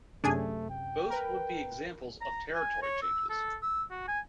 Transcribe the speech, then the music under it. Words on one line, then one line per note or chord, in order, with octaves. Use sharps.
Both would be examples of territory changes.
F#2 C3 A3 D4 G#4 G#5
G5
A#4 B4
A#5
G#5
C#5
E6
A4
E6
F#4
G#5